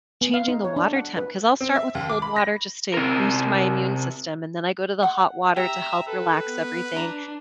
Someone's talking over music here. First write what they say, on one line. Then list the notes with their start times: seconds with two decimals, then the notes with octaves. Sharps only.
changing the water temp. 'Cause I'll start with cold water just to boost my immune system, and then I go to the hot water to help relax everything,
0.21 B3
0.34 F5
0.48 D#4
0.64 C#5
0.76 D4
0.96 F#5
1.17 B4
1.61 C4
1.76 E5
1.95 D#2
2.10 D6
2.22 B5
2.36 A#6
2.94 C3 A#4
5.03 F#5
5.56 G4 E5 A#5 E6
6.08 A4 B4
6.46 B3
6.96 D4 A#5